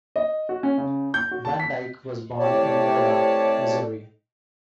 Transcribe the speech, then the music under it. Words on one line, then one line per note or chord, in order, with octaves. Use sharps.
Van Dyke was born in Mora, Missouri.
D#5
F#4
C#4
C#3
G6
F#4
A5
B6
A2 C3 G4 C#5 D5 A5